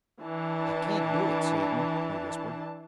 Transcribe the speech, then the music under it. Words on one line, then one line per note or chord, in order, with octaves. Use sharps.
"I can't do it, Satan," he whispered.
E3 D4 A5